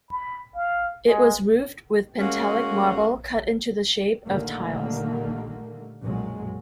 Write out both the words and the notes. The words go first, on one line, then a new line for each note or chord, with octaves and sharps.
It was roofed with Pentelic marble cut into the shape of tiles.
B5
F5
G#3
G#3 A#3 C#4 F#4
A#2 D3 D#3 G3 A3 A#3
B1 F#2 A#2 F#3 G#3